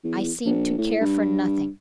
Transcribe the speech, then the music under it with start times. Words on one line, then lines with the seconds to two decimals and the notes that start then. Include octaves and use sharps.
I seemed to care for nothing.
0.04 E2
0.46 A#1
0.78 A2
1.00 G2